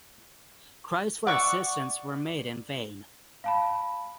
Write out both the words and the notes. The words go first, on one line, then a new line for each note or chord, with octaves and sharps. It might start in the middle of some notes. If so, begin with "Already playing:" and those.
Cries for assistance were made in vain.
D5 F#5 C#6 E6
F5 A5 B5